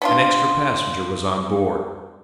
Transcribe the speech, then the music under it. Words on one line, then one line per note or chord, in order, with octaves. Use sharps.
An extra passenger was on board.
B3 D4 F4